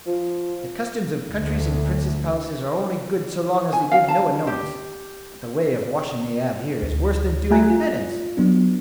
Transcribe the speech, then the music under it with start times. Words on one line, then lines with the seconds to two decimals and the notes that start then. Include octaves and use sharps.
The customs of countries and princes' palaces are only good so long as they give no annoyance; but the way of washing they have here is worse than doing penance.
0.07 F3
1.29 D2
3.73 G#5
3.92 F5
4.08 A5
4.47 G4
6.82 D2
7.51 A3 F4 E5 G#5 A#5 F#6
7.70 F4
8.37 F#3 B3 D4